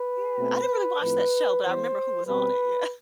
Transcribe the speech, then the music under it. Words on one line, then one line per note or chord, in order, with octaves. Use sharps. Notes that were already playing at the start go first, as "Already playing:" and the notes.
Yeah, I didn’t really watch that show, but I remember who was on it. Yeah.
Already playing: B4
B2 A3 C4
A2 F3 C4 B4
E3 B3 C5
B2 G3 C4 B4